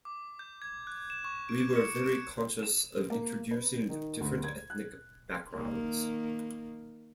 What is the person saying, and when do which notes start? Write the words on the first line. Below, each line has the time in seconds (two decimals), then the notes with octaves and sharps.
We were very conscious of introducing different ethnic backgrounds.
0.05 D6
0.39 G6
0.62 G#6
0.87 F#6
1.10 E7
1.24 C#6
1.49 D7
1.76 C#7
2.04 D7
2.63 E7
3.10 A#3
3.51 B4
3.89 D#3
4.20 D2
4.44 G#6
4.70 F#6
5.51 D#3 A#3